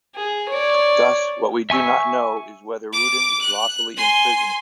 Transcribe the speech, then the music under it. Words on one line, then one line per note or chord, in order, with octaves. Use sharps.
Thus, what we do not know is whether Rudin is lawfully imprisoned.
G#4
C#5 D5
E5 G#5 C#6 E6
D6
F#6
G#5 C6